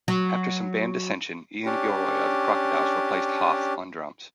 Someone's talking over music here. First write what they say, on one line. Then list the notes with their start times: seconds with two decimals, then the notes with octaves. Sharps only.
After some band dissension, Ian Gilroy of the Crocodiles replaced Hough on drums.
0.08 F#3
1.66 C#4 D4 G4